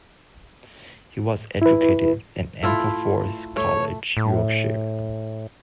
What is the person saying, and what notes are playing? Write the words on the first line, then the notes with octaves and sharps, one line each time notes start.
He was educated at Ampleforth College, Yorkshire.
E4 B4
A3 E4 F4
A3 C#5
A2